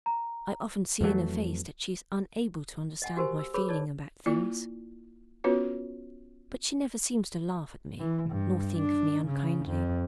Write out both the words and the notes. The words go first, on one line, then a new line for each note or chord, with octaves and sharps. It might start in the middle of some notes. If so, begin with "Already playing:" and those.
I often see in her face that she is unable to understand my feeling about things; but she never seems to laugh at me, nor think of me unkindly.
A#5
F2 E3 F#3 A3
D#5 F#5 G#5
F#4 G4 A#4 C5 G#5
E6
G#4 B4 C#5 B5 D6 E6
D#4 C#5 D5 A5
A#3 E4 F4 D5
B3 C#4 F4 F#4 B4 C#5
E3
G2
D4
C#3
F2